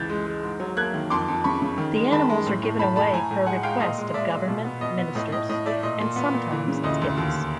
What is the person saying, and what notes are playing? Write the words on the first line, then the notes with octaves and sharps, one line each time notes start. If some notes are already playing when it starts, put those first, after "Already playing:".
The animals are given away per request of government ministers and sometimes as gifts.
Already playing: C#2 E3 G6 A6
G#3
G#3
G#2
F#3
A#3 F#6 G#6
D#3
F2 C6 D6
F2
C#3 B5 C#6
C#3
D#3
G#3
D#3 A5 B5
G#3
A2
A2
A2 A5 B5
A3 A5 B5
A2 G#5 A#5
A2
G#3 F#5 G#5
G#3 F5 G5
A#2 D#5 F5
G#3
G#3 D5 E5
A#2
B2
B3
B2 D#5
B3
A2 D#5
A2 D#5
A2 D#5
A3 D5 E5
A#2 D#5
A#2
B3
A#2
E3
C#3
D2 D#5
D2
D#2